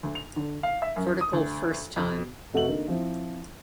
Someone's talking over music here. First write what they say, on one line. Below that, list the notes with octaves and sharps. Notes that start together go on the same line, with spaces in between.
Vertical first time.
D2
F7
D3
F5
E5
F#2
D#6
D2
F2
F1 A3 F#4 D#5 E5 F#7
D3 A#3 D#4
F3 C4 E4